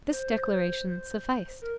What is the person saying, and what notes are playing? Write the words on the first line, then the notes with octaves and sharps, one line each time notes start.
This declaration sufficed.
C5
A#4